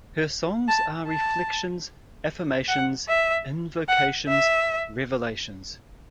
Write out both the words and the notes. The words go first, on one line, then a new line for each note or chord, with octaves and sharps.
Her songs are reflections, affirmations, invocations, revelations.
A5
A5
F#5
E5
F#5
E5